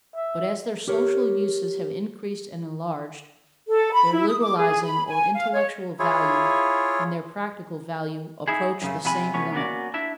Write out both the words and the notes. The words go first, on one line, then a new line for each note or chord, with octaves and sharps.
But as their social uses have increased and enlarged, their liberalizing or "intellectual" value and their practical value approach the same limit.
E5
G4 A#4 C#5
A4
B5
E4
D#6
D6
G#4
B5
G#5
F5
C#5
E4 F4 G#4 C#5
D#4 E4 G#4
F#2 C#3 A3
F2 C3 B3 E4 G#5 B5
C3 A3 B3 C#4 C#5
A#3 B3 C#4 F#4 D5
D4 E4 E5